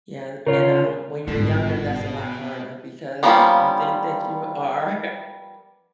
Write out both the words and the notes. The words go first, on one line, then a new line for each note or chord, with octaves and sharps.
Yeah and, um, when you're younger that's a lot harder because you think that you are,
C#3 F4 A#4 C#5
G1 G#2 B2 D4
F3 G3 A#3 B3 C#4